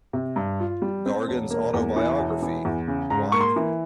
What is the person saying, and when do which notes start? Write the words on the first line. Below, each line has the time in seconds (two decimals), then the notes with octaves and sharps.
Gargan's autobiography, Why Me?
0.13 C3
0.36 G2
0.60 F4
0.82 G3
1.06 C4
1.28 E1
1.50 A#3
1.74 E2
1.96 E3
2.19 E1
2.42 E3
2.65 E2
2.88 C#3
3.10 G#2 A#5
3.32 A#3 C#6
3.41 C6
3.56 E3